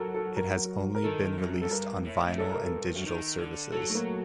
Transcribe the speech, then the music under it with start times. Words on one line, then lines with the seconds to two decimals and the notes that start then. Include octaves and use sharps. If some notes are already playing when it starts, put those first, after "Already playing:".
It has only been released on vinyl and digital services.
Already playing: F#3 A4 A#4
0.14 A4
0.36 A#4
0.95 A#4
1.03 D#3 A4
1.38 F#2
1.61 F#2 A4
1.70 G2 A#4
2.05 A2
2.27 A2
2.38 G2 A4
2.52 A#4
2.65 A4
2.96 F#3
3.06 D#3
3.39 D3
3.72 F#3 A4
3.90 A3
3.95 A#3